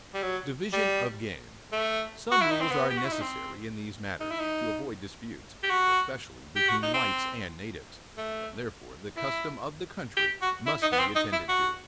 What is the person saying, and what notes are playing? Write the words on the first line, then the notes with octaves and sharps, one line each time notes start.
Division of Game.--Some rules are necessary in these matters, to avoid disputes, especially between whites and natives; and therefore the custom of the country must be attended to.
G3
F#3
G3
A3
F#4
E4
D#4
C4
B3
G4
F#4
E4
D#4
C4
D#4
E4
D#4
G4
F#4
G4
F#4
D#4
C4
A3
E4
G4
F#4
E4
D#4
B3
C4
D#4
E4
F#4